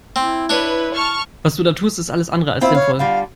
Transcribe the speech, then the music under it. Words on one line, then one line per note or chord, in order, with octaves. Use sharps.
Was du da tust ist alles andere als sinnvoll.
C4 E4
D4 B4 C#5
A5 C#6 F6
C4 E4 F4
C#5 F5
D3 G3 F4 F5